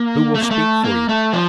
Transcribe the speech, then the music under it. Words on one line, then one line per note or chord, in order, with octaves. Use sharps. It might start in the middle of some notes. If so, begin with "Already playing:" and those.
"Who will speak for you?"
Already playing: A#3
A3
A#3
A3
A#3
A3
F3